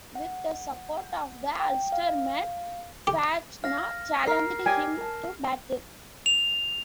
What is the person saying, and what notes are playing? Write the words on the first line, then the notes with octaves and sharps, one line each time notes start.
With the support of the Ulstermen, Fachtna challenged him to battle.
F#5
G5
F5
G4
F5 F6 A#6
A#4 F6 C7
G4 D5 G5 G#5
A#4 A5
F7